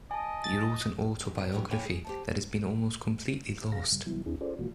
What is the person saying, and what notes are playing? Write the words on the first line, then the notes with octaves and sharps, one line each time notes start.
He wrote an autobiography that has been almost completely lost.
D#5 G#5 A5
A6
E2 G#2 D#3
A2 C4
D3 E3 F#3 D#4 F#4 G4
A#3 E4 C#5 G5 G#5
G#4
G4 C5 A5
C3 G#4 F5 A#6
G2 C#3 G3
C3 E3 F#3 G3 B3 E4
D#2 C4 D4 E4 G#4
C#4 F4 G#4 A4 C5 D5
B2 E3 G#3 A#3 F4 F#4